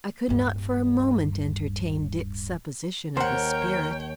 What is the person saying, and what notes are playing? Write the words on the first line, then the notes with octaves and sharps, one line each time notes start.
I could not for a moment entertain Dick's supposition of a spirit.
D1 G2
D#2 A#4 C5 C#5 F#5 G5